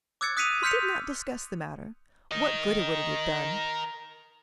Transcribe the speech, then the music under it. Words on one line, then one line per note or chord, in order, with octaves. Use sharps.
He did not discuss the matter--what good would it have done?
D6 E6 F#6 G#6 A6 C#7
D#6 F#6 B6 C#7 D#7 F7
C6 F6 G6 B6 C#7 F7
A#4 D#5